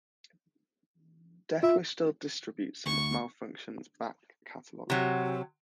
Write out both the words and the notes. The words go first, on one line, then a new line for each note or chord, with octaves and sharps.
Deathwish still distributes some of Malfunction's back catalog.
F4 E5
D2 C#6
C3 F#3 F#4